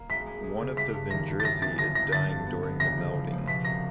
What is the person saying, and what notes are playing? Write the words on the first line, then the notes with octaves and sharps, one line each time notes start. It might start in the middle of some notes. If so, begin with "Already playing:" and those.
One of the Vindrizi is dying during the melding.
Already playing: A#3
G#3 B6
G#3
G#3
C#3
G3 B6
G2
D#3 A#6
G2
A6
F#3 A#6
B3 A6
D3 A#6
B3 A#6
D3 A6
G2
B3
B3
C#3 A#6
F3
C#3
F3
B2 B6
C2 A#6